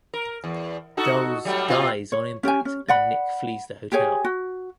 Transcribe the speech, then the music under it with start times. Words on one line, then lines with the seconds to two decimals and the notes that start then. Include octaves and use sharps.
Dulles dies on impact and Nick flees the hotel.
0.14 A#4
0.44 E2
0.97 D#4 F#4 A4
1.45 F#3 G3 A3
1.68 A#2 C4 F4
2.12 C#5
2.43 C#4 G4 D#5 G#5
2.65 C#4
2.88 D5 F#5 B5
3.92 G4 G#4 C#5 G#5
4.25 F#4